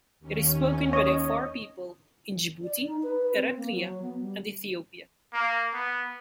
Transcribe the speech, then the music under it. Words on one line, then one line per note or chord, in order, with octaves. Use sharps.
It is spoken by the Afar people in Djibouti, Eritrea and Ethiopia.
D#2 C#4
C#5 D#5
D5
D#4
B4
B4
C4
A#3
F#3
B3
G3
A#3
B3